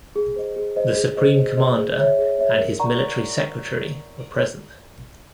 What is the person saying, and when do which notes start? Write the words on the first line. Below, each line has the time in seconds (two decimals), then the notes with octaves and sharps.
The Supreme Commander and his Military Secretary were present.
0.16 G#4
0.36 C5 D#5
0.56 G#4
0.76 C5 D#5
0.96 G#4
1.17 C5 D#5
1.38 G#4
1.57 C5 D#5
1.78 G#4
1.98 C#5 E5
2.19 G#4
2.39 C#5 E5
2.59 A#4
2.79 D5 F#5 A#5 C#6